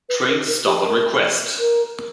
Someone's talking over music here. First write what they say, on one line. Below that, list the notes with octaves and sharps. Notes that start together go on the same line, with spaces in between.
Trains stop on request.
B4
A#4
A#4
G4
A#4
A#4